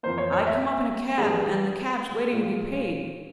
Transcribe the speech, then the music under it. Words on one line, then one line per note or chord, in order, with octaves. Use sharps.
I come up in a cab, and the cab's waiting to be paid.
F2 E3 A#3 C5
C#5
C#5
E5
G2 E3 G3 G#4
A#2 G#3